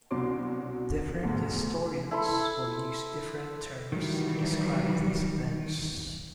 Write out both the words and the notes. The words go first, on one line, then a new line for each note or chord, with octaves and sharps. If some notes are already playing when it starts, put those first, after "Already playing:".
Different historians will use different terms to describe these events.
C2 B2 F#3 D4 C6 D6
D2 G#2 B2
E4 A4 B5 C6
D#3 E3 F#3 G3